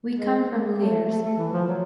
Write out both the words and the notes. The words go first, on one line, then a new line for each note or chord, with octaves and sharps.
We come from Llers.
G#3
A#3
A3
A3
A3
E3
F3
F#3